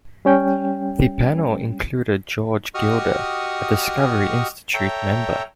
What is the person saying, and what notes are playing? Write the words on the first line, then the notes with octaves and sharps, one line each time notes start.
The panel included George Gilder, a Discovery Institute member.
G3 C#4 G5
F#4 G4 D#5 C#6 D#6 F6
A4 C#5 E5 G5 A#5